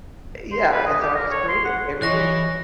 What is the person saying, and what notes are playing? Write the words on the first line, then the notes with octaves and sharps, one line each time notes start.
Yeah, and so I just create it, every year.
C6
B4
D#5
G4
A#4
C#5
C6
F#5
E3 C#5 D#5 C#6 F#6 A#6